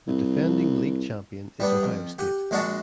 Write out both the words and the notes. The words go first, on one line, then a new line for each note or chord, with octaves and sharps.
The defending league champion is Ohio State.
C2
G3 B3 D4
F2
G4 F#5
A#1 G#3 D4 F#4 F#5 A5